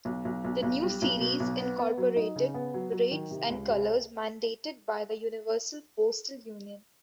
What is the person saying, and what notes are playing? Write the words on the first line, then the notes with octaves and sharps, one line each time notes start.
The new series incorporated rates and colors mandated by the Universal Postal Union.
B1
B1
B1
B1
G3
B1
B2
B1
B3
B3
F#3
D#4
C#3
B3
F#3
F#3
D#3
C3
C#2
C3